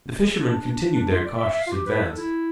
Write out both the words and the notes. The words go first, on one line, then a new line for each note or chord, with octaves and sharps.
The fishermen continued their cautious advance.
A4
D4
D4
D4
D4
D4
F4
D5
E5
E5
F5
F4
G4
B4
A4
E4